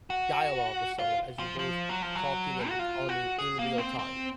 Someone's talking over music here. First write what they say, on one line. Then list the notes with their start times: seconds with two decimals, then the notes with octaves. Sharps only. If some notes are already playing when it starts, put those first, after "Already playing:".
dialogue with someone as you're both talking and responding in real time.
0.10 F#4
0.99 F4
1.39 F3
1.59 F3
1.89 F#3
2.02 F3
2.15 F#3
2.68 F#4
2.79 F4
3.09 F#4
3.39 G#4
3.59 A#3
3.78 C4
3.99 C4